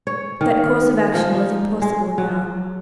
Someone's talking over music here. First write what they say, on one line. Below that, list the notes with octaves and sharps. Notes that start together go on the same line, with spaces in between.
That course of action was impossible now.
C#5
D#3
F3
D#4
G#3
F#3